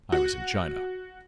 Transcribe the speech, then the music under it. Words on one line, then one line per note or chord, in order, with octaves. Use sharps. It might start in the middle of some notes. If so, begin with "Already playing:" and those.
I was in China.
F#4